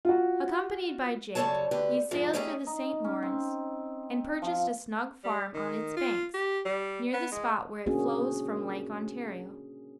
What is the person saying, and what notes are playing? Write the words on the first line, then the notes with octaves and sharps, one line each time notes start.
Accompanied by Jake, he sailed for the St. Lawrence and purchased a snug farm on its banks, near the spot where it flows from Lake Ontario.
F4 F#4
F#2 C#3 G3 A4 C#5 A5
D2 D3 G4 B4
F2 G#2 G#3 F4
G3 A3 C#4 D#4 G4 G#4
D#4
C#4
C4
F3
G3
D#3
F4
G4
G3
B3
G#3
A#3 C#4 D4 F#4 G#4